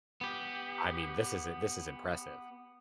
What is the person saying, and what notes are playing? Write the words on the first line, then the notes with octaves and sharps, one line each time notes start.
I mean, this is i this is impressive.
B3 G4